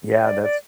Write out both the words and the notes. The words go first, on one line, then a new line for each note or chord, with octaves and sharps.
Yeah. That's
D5
D5